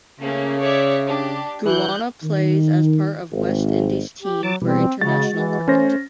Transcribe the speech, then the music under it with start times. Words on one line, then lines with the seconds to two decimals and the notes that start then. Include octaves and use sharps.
Guyana plays as part of West Indies team for international cricket.
0.20 C#3 A3 A#3 C#4
0.59 C#5 D5 E5
1.07 D4 G4
1.65 E3 F#6 G6
2.24 D#3
3.32 G#1
4.23 G4
4.43 F#3 A5 D6
4.62 B2 E3 G3 C4
5.01 C#3 G#3 F#4 A6
5.31 E3
5.68 A3 C#4 C5 A#6